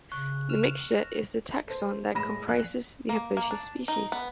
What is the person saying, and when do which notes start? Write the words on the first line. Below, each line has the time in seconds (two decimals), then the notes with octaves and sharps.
"Nemexia" is the taxon that comprises the herbaceous species.
0.12 C#3 C#6 F#6
0.49 F6 E7 F7
0.92 A#6
1.67 A4 C5
2.14 A2 G#3 B5 A#6 E7
2.47 A#1 F#6
3.09 A#3
3.37 A#3
3.51 D4
3.88 D#4
4.12 B3